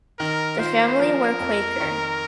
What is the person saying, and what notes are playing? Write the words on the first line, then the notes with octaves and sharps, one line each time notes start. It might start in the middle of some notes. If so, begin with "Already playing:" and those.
The family were Quaker.
D#3 A#4
F4 C5
F3 A#4
F2
D#3